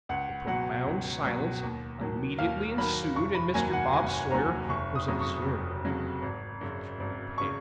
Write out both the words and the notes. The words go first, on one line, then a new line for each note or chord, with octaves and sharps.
A profound silence immediately ensued; and Mr. Bob Sawyer was observed to turn pale.
C#2 F#5
B2 F#3 F#5
C#2
B2 F#3
D#2
D#3 F#3
D#2 F5
D#3 F#3 B5
F1 C#6
B5
D#2 D#3 F#3 G#5
F#5
F1 G#5
D#2 D#3 F#3 A#5
F1 C#6
D#6
F2 C#3 F#3
C#6
F1
F2 C#3 F#3
G#1
F#2 C#3
G#1
C#3 C#6